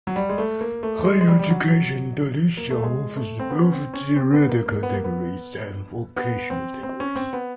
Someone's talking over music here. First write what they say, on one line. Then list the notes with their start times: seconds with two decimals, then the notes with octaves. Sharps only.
Higher education in Indonesia offers both theoretical degrees and vocational degrees.
0.07 F#3
0.16 G3
0.29 G#3
0.38 A3
0.61 A#3
0.83 A3
1.05 G#3
1.21 G#3
1.28 G3
1.39 G3
1.50 F#3
2.57 A#3
2.70 A3
2.83 G#3
3.16 A3
3.39 C4
3.50 B3
3.61 C#4
3.72 C4
3.93 C#4
4.16 C4
4.33 B3
4.49 A#3
4.66 A#3
4.83 B3
4.94 A#3
5.04 B3
6.16 B3
6.50 C4
6.83 C4
7.00 C#4
7.16 C4
7.33 B3